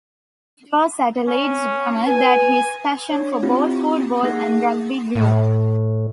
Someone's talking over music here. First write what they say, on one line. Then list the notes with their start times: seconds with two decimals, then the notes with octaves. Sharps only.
It was at Leeds Grammar that his passion for both football and rugby grew.
1.27 C#4
2.07 B4 G#5
3.09 D4 C#5
3.43 C4 E4 F4 G4
4.23 A#3 D#4 G#4 F#5 A#6
5.15 A2